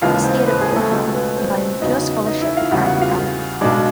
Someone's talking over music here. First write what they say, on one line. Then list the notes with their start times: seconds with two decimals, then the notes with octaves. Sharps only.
He steered a middle path, combining pure scholarship with practicality.
0.02 D#2 C#3 E3 G#3 B3 F4 F5
0.24 C4 C5
0.46 B3 B4
0.61 G#4
0.76 A3 A4
0.91 C#2 B2 G#3 A3 A4
1.14 B3 B4
1.37 C4 C5
1.82 E2 C#3 F#3 B3 D#4 D#5
2.26 D#4 D#5
2.41 E4 E5
2.57 F4 F5
2.71 E2 C#3 E3 G3 F#4 F#5
2.86 F#4 F#5
3.01 F4 F5
3.61 B1 B2 G#3 D4 D5